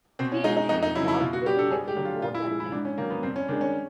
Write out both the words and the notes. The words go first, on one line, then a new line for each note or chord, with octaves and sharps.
He and she talked very little more that night.
B2 C4
C#4
G#3 D#4
D#4
F2 D#4
D#4
C#3 F#3 E4
E4
B2 F4
F#4
G3 G4
A4
G2 G#4
G4
D3 F#3
F4
A#2 F4
E4
F3 G#3 E4
E4
G#2 D4
C#4
D#3 F#3 A#3
B3
G2 C4
C#4
D#3 G#3 D4
C#4